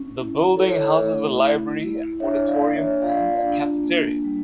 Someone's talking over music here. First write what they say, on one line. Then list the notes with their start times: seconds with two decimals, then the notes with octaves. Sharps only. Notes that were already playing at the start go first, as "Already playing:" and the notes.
The building houses a library, an auditorium and a cafeteria.
Already playing: C#4
0.16 E4
0.56 E4 A4 C#5
0.98 A3
1.39 E4
1.80 E4
2.20 D4 C#5 E5
2.47 D5 F5
2.61 A#3
2.75 C#5 E5
3.02 F4 D5 F5
3.43 D4
3.83 A#3
4.24 G3